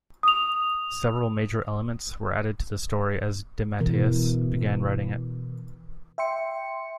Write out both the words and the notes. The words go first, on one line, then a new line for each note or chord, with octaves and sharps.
Several major elements were added to the story as DeMatteis began writing it.
D#6 F7
B2 E3 A#4
E5 G5 C6 C#7